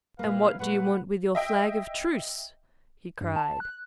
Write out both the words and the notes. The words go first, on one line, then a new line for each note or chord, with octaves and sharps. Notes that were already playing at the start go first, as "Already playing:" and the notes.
"And what do you want with your flag of truce?" he cried.
A#2 A#3 E4 B4 F5
A#2 A3 B4 F#5
D#5 E5 G5
G2
A5
F#6